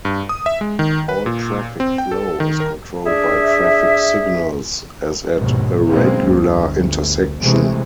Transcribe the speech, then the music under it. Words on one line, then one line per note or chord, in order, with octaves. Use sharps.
All traffic flow is controlled by traffic signals as at a regular intersection.
G2
D#6
E5
G#3
D#3
B4
A#2
C4
G5
A4
D#3
A#4
D4 G#4 E5
A#1 D#2 G#2 B2
B2 D3 D#3 G#3 A#3 C4
G1 D2
C3 E3 G#3 A3